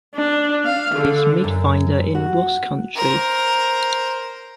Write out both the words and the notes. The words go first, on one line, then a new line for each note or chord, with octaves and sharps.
He plays midfielder in Ross Country.
D4
F5
D3
F#2
F#4
A#4 C5